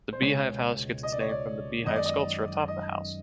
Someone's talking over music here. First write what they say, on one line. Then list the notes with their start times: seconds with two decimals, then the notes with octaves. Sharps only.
The Beehive House gets its name from the beehive sculpture atop the house.
0.13 C5
0.21 C#2 B2 G#3 B3 C#5
1.03 D#5
1.12 D5
1.21 C#5
1.29 D5
1.86 F#2 D#3 G#3 B3 D#5
1.96 D5
2.05 D#5
2.68 D#5